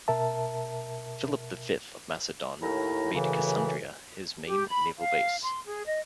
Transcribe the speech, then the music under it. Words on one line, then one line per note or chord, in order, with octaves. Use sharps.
Philip the Fifth of Macedon made Cassandreia his main naval base.
B2 A#4 E5 A5
D#2 A2 E4 A#5
F#2 A2 C#3 E3
G4
B5
F5
C6
G#4
D#5